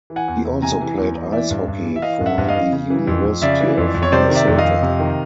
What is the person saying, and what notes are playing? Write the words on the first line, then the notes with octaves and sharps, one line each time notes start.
He also played ice hockey for the University of Minnesota.
E3
F#5 G#5
E2
E2
C3 G#5 A#5
E3
E2
E2
E3 D5 E5
G2
G2
E3
E5
E3 D#5 F5
G2
E5 F#5
G2
D#5 F5
E3
C#3
E3
F2
F2
C#3 D5 E5
E3
F2
F2
C#5
C3 C5 D5
D#3
D5 E5
F2
D#5 F5
F2
C3
D#3